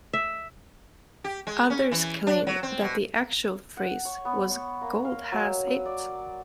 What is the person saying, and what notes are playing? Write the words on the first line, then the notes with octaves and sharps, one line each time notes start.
Others claim that the actual phrase was Gold has it!
E5
G4
G#3
C#4
E3
D4
F#3
C4
B2
F#5
C#5
B3
C#6
A#3
F5
F#3
E6
D5